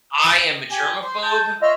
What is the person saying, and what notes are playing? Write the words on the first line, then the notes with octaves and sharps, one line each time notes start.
I am a germaphobe
G4 G#5
C5
A5 G6
F4 C#5 D#5 E5